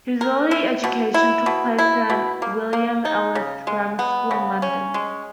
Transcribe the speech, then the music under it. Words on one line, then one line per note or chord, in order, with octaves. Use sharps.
His early education took place at William Ellis Grammar School in London.
A#4
E4
B2
E4
B2
E4
B2
A#3
A#3
D#4
C#3
G#3
B3
C#3
C#4
G#3